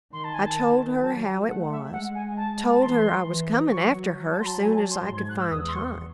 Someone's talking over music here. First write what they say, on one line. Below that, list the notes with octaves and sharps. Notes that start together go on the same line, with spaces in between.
I told her how it was, told her I was coming after her soon as I could find time.
D#3 C6
A5
G#5
A5
D#3
G#5
F#3 A5
A3 F#5
E5
G#3 F#5
G#5
A5
A5
E3 C6
E3
F#3 C#6
F#3
A5
C6
A5
G#5
A5
C6
G#2 C6
G#6
F#6
E6
E2 D#6
C6
C#6